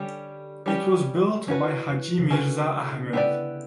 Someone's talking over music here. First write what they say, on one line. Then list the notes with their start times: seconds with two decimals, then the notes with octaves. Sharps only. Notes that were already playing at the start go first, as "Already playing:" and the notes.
It was built by Haji Mirza Ahmed.
Already playing: D3 G3 C#4 G4
0.66 G3 C#4 G4
1.48 E3 C#4 F#4 B4
1.90 E3
2.19 C#3
2.31 D3 C#4 F#4 B4
3.13 B3 E4 G4 B4 D5